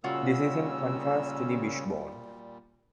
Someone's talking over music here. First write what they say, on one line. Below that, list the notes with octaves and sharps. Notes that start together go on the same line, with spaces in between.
This is in contrast to the wishbone.
D#2 A#2 C#3 G3 F4 F#4 A#4 E6